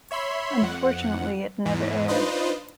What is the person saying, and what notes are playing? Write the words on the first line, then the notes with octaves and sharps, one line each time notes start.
Unfortunately it never aired.
C#5 E5 B5 C6
F2 F#5
E2 G#2 E3
D4 D#4 F4 B4 C5 D#5